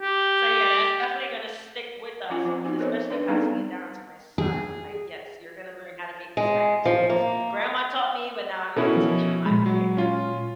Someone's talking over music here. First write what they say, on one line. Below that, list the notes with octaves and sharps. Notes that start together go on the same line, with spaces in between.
So, yeah, that's definitely gonna stick with us, and s especially passing it down to my son, like, "Yes, you're gonna learn how to make this mac and cheese. Grandma taught me, but now I'm gonna teach you my way."
G4
F3 C#4 F4 G#5
F3 C4 C5
B3 D#4 F#4 G#5
A4 A#4 C5 C#5 D#5
D4 B4 D5
G3 B3 C4 D#4 G#4 A4
G#4
G#3
F3
A#3
B2 C#4 E4 A4 A#4
F3
A#2 G#3 B5
F#3
C#4 F4